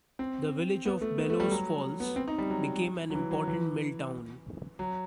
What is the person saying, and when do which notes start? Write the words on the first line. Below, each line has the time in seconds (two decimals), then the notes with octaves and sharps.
The village of Bellows Falls became an important mill town.
0.19 C4
0.85 B3
1.01 A3
1.18 B3
1.30 A3
1.40 G3
1.51 F#3
2.00 B3
2.16 C4
2.28 D#4
2.38 G3
2.50 F#3
3.10 F#3
3.15 E3
3.31 F#3
3.48 E3
4.79 F#3